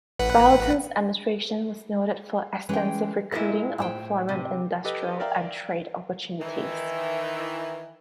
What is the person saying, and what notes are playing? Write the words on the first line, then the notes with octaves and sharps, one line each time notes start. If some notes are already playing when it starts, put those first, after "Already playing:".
Blanton's administration was noted for extensive recruiting of foreign industrial and trade opportunities.
A1 B4 F#5
E3 G#3 C#4 B4 G5
A#2 G#3 E4 A4 A#4 D#5
A2 C5 G5
C3
G4 A4 B4 D#5
A#4 D5 E5 F5 G5 A#5
D#3 E3